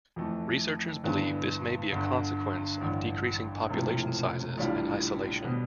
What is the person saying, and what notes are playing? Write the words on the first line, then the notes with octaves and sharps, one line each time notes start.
Researchers believe this may be a consequence of decreasing population sizes and isolation.
F2 E3 A3
G1 G2 E3 B3 D4
G1 G2 D3
A1 G2 D3
E1 E2 C3 F3 A3
A1 A2 G3 D4 F4
B2 G3 B3